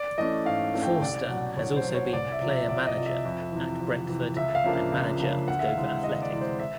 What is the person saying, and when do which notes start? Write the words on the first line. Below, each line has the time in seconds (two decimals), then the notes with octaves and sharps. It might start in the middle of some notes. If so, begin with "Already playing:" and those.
Forster has also been player-manager at Brentford, and manager of Dover Athletic.
Already playing: D5
0.18 E3 A3 C#4 D#5
0.45 G#2 F5
0.74 E3 A3 C#4
0.82 G5
1.02 C2 D5
1.29 B2 F#3
1.57 C2 C#5
1.77 C5
1.85 B2 F#3
1.94 C#5
2.13 C2 D5
2.32 E5
2.41 C3 F3
2.51 E5
2.69 C2 D5
2.87 D#5
2.97 C3 F3
3.06 E5
3.25 F2
3.52 C3 E3
3.81 F2
4.08 C3 E3
4.36 C#2 E5
4.55 F5
4.64 C#3 F3 A#3 D4
4.73 F5
4.92 C#2
5.20 C#3 F3 A#3 D4
5.47 D2 F#5
5.59 E5
5.67 F5
5.76 C3 E3 G#3
5.85 E5
6.04 D2 D#5
6.22 D5
6.32 C3 E3 G#3
6.41 C5
6.59 E5